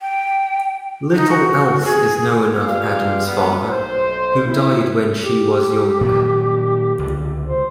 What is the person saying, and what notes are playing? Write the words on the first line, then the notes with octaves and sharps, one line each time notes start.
Little else is known of Adams's father, who died when she was young.
G5
D#4
F#4
G#4
F4 G4 G#4 B4 D5 F5
G3 A#3 B3
B1 C5
D#3 C4 C#4 E4
G4
A#2 D#3 F#3
C#2 D3
C5